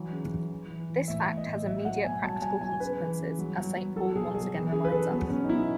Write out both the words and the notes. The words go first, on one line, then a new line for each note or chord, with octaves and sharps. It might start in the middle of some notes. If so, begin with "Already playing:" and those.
This fact has immediate practical consequences, as Saint Paul once again reminds us.
Already playing: E3 F#3
C#3
E3
E3
E3
E3
A2 E5
A2
D#5
A2
F#3 E5
F#3 F#5
B2 G#5
F#3 A5
F#3 G#5
F#3 G#5
C#3 B4
E3
C#3
F#3
F#3
F#3
F#3 A4
B2 G#4
F#3 G#4
E3
C#3 G#4
B4
C#3 A4
F#3 B3
B2 C#4
D#4
B2 E4